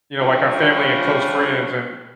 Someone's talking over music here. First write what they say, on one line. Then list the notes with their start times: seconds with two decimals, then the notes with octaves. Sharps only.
you know, like our family and close friends, and
0.19 F3 G3 A3 C#4 D4 F4